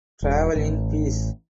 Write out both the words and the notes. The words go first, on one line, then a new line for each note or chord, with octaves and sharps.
Travel in peace.
E1
A1